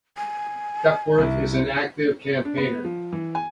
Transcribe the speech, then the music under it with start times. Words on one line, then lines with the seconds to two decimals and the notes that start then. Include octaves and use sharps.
Duckworth is an active campaigner.
0.18 G#5
1.18 C2 E4
2.45 D4
2.57 B3
2.84 F3
3.12 E3
3.35 G#5